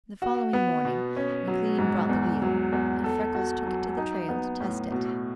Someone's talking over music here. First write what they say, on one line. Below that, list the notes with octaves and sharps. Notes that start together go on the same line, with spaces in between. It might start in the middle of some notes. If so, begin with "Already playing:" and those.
The following morning McLean brought the wheel, and Freckles took it to the trail to test it.
F#4
B3
B2
C#4
F#3
G#2
E2
F#3
E2
A4
F#4
F#3
D#4
B3
A2
B2